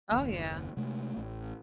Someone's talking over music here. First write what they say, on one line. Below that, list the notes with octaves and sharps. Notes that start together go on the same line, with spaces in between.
Oh, yeah.
F#1 D#2
C3 G#3 A3
A1